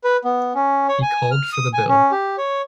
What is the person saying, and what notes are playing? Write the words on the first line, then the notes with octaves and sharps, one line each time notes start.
He called for the bill.
B4
B3
C#4
C#5
G#5
F6
D#6
G#5
C#4
G4
C#5